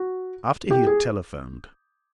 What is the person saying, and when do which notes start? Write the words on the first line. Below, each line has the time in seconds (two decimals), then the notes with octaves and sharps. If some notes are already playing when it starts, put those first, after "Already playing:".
After he had telephoned.
Already playing: F#4
0.70 G4
0.87 G#4